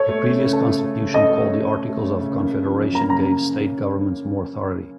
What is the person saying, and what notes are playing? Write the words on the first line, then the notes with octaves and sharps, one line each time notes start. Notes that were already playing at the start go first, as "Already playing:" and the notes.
The previous constitution, called the Articles of Confederation, gave state governments more authority.
Already playing: A4 C#5
A3
C#4
C#3
A4
A3
C#4
C#3
A4 D#5
A3
C#4
C#3
A4
A3
C#4
C#3
A#3
C#3
F3
F#2
A#3 A#5
C#3 A#5